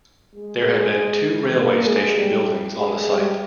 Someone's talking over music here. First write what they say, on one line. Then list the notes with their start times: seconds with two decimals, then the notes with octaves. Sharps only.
There have been two railway station buildings on the site.
0.35 G#3
1.56 A#3
1.87 G#3
2.17 G3
2.78 G#3
3.10 G3